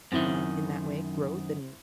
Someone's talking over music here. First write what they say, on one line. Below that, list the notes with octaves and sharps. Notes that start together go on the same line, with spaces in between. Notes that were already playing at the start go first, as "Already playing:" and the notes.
um, in that way, growth and
F#2 D#3 C4 E4